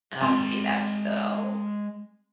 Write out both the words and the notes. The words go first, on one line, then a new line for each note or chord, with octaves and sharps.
Oh, see, that's Oh.
G#3 C4 G5 C6